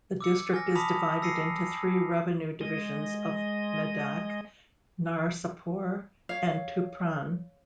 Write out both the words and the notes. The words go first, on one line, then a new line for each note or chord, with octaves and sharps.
The district is divided into three revenue divisions of Medak, Narsapur and Tupran.
D6 E6 C#7
G#5 F6 A#6
A5 B5 D6 D#6 B6 F7
E6 A#6 C7 C#7 D#7
G#3 D#5
C#5 F5